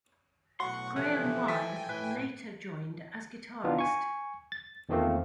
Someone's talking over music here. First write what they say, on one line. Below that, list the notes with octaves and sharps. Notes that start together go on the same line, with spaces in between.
Graham Wann later joined as guitarist.
B1 A2 F#4 F#5 C6 C#6
C3 E3 F3 A3 F#5
A4 E5 G5 G#5
A2 E3 B4
E3 B3 D4 D#4 F4
G#5 C#6
A6
E2 D#3 F3 A3 A#3 C4